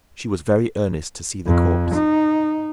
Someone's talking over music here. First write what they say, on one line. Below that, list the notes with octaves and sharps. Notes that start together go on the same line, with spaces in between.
She was very earnest to see the corpse.
F2
D#4